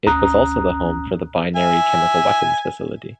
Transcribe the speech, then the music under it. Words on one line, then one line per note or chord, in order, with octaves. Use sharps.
It was also the home for the Binary Chemical Weapons Facility.
G1 D2 C#4 A#5 D#6 F#6
E5 G#5